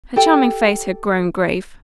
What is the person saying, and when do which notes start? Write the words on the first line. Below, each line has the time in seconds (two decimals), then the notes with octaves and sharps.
Her charming face had grown grave.
0.16 G4 A4 G5